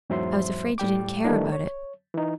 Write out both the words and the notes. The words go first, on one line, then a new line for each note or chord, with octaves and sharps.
"I was afraid you didn't care about it."
E2 G#2 F#3 C5 E5 C6
A2 G3 G5 D6
D#3 E3 G3 A3 D4 D#4
C#5
E3 D#4